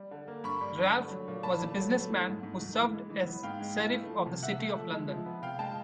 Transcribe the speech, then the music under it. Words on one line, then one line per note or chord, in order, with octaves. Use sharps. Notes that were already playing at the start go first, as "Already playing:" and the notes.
Ralph was a businessman who served as Sheriff of the City of London.
Already playing: G3
D3
A#3
G2 B5 C#6
G3
D3
A3
F#3
A#2
A#2 A5 B5
A3
F#3
A3
E3
G#2
G#2
A3
E3
G#3
E3
B3
G#2 F5 G5
G#3
E3
A3
F3
C3
C3 E5 F#5
A3
F3
G#3
F3
B3
C3 F5 G5
G#3 G5 A5